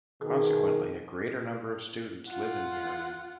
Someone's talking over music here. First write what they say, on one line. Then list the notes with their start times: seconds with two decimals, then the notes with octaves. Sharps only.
Consequently a great number of students live in the area.
0.21 B2 D#3 G#4
2.30 F4 F#5